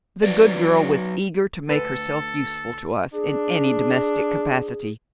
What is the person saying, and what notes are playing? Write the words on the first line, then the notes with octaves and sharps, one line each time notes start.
The good girl was eager to make herself useful to us in any domestic capacity.
F#3 B4 D5
D2 A4 B4
D4 G#4